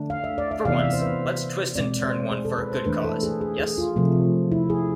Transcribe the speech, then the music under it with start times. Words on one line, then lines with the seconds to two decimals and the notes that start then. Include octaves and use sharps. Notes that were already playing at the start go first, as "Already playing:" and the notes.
For once let's twist and turn one for a good cause, yes?
Already playing: D3 A3 D4
0.10 F5
0.24 E5
0.38 D5
0.51 E5
0.65 C3 E3 B3 F5
0.79 E5
0.93 C5
1.02 B4
1.07 C5
1.75 B2 G#3 C4 D5
2.03 C5
2.31 G#4
2.45 A4
2.58 B4
2.72 C5
2.86 E3 A3 D4 B4
3.04 A4
3.23 G#4
3.41 G#4
3.59 G#4
3.78 F4
3.96 C3 F3 A3
4.52 E4
4.70 G#4